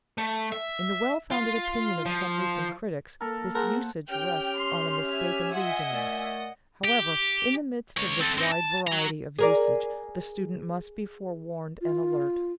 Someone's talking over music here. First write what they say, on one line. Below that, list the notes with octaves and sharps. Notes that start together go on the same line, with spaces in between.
In the well-founded opinion of some recent critics this usage rests on a mistaken reasoning. However, in the midst of this wide variety of usage the student must be forewarned and alert.
A3
E5
F4
F3
A#3 A4 A#4
G#4 A#4 C5 F#5 A5
C#4 G4 G5 F6
C6
E5 G#5
F4 D#5 F#5
A#2 A3 D5
G4
C#2 C#5
C4 A4
C4 D#4
A5
F#4 A#5
G#4 A#4 D5
F4